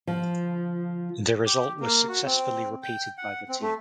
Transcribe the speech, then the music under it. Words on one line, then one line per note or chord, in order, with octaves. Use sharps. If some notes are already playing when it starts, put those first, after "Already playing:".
The result was successfully repeated by the team.
F3
G4
A#3
F#4
C4
G5
F#5
C4
A3